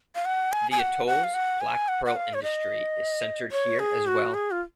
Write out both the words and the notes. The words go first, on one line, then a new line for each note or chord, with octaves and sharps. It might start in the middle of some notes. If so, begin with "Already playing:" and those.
The atoll's black pearl industry is centered here as well.
F5
F#5
G#5
G#5
F#5
F#5
F5
F#5
G#5
F#5
F#5
F5
C#5
D#5
C#5
G#4
F#4
G#4
F4